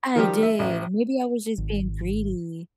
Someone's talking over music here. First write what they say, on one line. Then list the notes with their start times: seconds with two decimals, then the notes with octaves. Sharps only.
I did. Maybe I was just being greedy.
0.16 D#3 F3 G3 G4
0.43 E5
0.59 A1
1.58 G#1